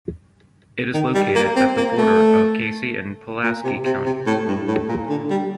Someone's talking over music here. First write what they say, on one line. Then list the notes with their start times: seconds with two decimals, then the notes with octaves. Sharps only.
It is located at the border of Casey and Pulaski Counties.
0.94 D#3
1.15 G3
1.36 A#3
1.56 C4
1.77 A#3
1.98 A3
3.43 A#2
3.64 C3
3.85 C3
4.06 C3
4.27 A2
4.48 G2
4.68 A2
4.89 A#2
5.09 D3
5.31 G3